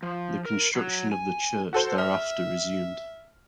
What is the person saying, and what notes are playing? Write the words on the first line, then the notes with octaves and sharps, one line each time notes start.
The construction of the church thereafter resumed.
F3
A#4
F#3
G#5
F#4 A4 C5
E5 F6